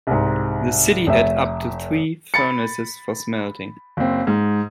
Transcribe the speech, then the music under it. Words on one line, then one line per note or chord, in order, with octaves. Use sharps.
The city had up to three furnaces for smelting.
C2 G#2
F1 E5
B5 A6 C#7
F#1 C4
G#2